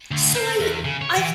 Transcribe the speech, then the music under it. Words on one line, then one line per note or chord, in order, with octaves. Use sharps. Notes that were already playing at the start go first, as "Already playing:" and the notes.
so, I I
D2
C4
E2
C#3
C#5
E3